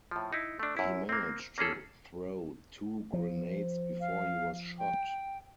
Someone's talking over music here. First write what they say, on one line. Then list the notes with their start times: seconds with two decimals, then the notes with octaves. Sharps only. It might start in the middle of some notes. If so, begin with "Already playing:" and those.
He managed to throw two grenades before he was shot.
0.11 A2 F3
0.33 D#4 E4
0.59 A3 D4
0.77 F#2 E4
1.09 A#3 C4
1.58 A#3 C#4 G#4 A4
3.13 F3
4.01 F5
4.79 G5